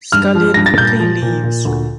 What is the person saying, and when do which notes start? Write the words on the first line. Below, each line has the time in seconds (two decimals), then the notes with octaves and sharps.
Skullion quickly leaves.
0.12 G2 F6
0.35 F3
0.54 G2 A#6
0.66 A6
0.78 A#2 G6
1.00 F3
1.22 A#2
1.43 A#2
1.65 D2